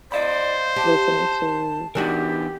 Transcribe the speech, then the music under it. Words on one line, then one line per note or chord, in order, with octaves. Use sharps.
listening to,
C5 D5 D#5 F5 B5
G4 A5
E3 B3 D4 D#4 F#4 G4 A#4